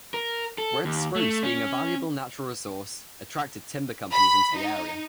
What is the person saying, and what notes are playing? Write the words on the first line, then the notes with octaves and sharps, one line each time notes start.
Red spruce, being a valuable natural resource, attracted timber companies into the area.
A#4
A4
D#2
A3
C#4
B5
D#4